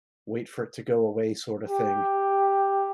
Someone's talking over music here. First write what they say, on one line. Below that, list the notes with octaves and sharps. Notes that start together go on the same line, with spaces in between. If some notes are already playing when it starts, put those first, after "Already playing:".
wait for it to go away sorta thing.
G4